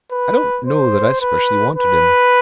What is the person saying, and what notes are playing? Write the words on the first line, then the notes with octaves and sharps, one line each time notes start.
I don't know that I specially wanted him.
B4
C5
B4
B4